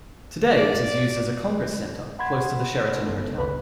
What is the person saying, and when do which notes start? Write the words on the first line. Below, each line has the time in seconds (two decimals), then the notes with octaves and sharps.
Today it is used as a congress center close to the Sheraton hotel.
0.57 D5
2.19 F#5 B5 C6 G#6
3.06 G1 B3 A4
3.37 C#2 B4 B5